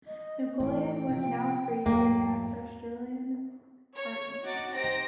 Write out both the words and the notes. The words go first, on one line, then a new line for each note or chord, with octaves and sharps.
Napoleon was now free to attack the Austrian heartland.
D#5
A2 E3 G5
C3 F3
E2 G#2 F#3 A#3
C#5
D#4 F#4 F#5 D6 A6
C4 D#4 G4 C5 A#6 D7